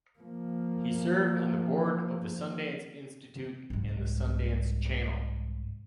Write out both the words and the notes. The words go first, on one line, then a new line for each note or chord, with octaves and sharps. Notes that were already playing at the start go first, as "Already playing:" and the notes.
He served on the Board of the Sundance Institute and the Sundance Channel.
F3 A#3
C2 G#2